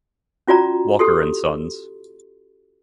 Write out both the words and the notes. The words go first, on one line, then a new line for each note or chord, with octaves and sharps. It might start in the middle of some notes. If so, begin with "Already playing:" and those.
Walker and Sons.
C#4 F4 F#4 D5 A#5
G4 A4 C6